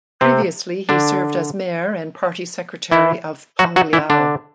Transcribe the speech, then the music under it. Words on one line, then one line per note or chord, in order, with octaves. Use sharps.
Previously he served as mayor and party secretary of Tongliao.
C3 C4
D3 D4
E3 E4
F#3 F#4
F#3 F#4
E3 E4
D3 D4